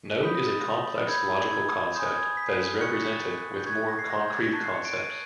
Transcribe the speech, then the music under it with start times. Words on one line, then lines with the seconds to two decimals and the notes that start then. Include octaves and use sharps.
Node is a complex, logical concept that is represented with more concrete concepts.
0.23 B5 D#6 G6 B6
0.35 A#6
0.48 A6
0.60 A#6
1.08 B5 E6 G6 G#6
1.52 G#6
1.95 G#5 C6 D#6 G6
2.05 G6
2.16 G#6
2.37 B6
2.48 C7
2.58 B6
2.81 C#6 F#6 C#7
3.03 B6
3.13 A6
3.56 G6
3.67 C#6 G#6
3.70 F#6
3.77 G#6
3.88 A#6
3.99 C7
4.10 A#6
4.20 G6
4.28 G#6
4.37 A6
4.44 A#6
4.53 A5 C#6 F#6 B6
4.64 C7
4.74 C#7
4.85 D7
4.96 D#7